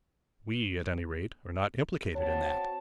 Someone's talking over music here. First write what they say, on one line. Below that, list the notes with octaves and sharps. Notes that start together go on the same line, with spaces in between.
"We at any rate are not implicated in that."
C4 F#4 C#5 A5